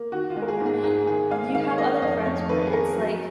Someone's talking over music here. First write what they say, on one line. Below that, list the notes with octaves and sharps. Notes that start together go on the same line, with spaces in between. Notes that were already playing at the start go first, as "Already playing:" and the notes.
y you have other friends where it's, like
Already playing: A#3
D#3 F#4
F4
G#3
A#4
G#4
G#2
G#4
G#2 G#4
D#3 G#4
G#3 F5
D#3 F5
C#5
A#3 D#5
F5
F2 D#5
F2 C#5
D#3 B4
G#4
A#3 A#4
F#3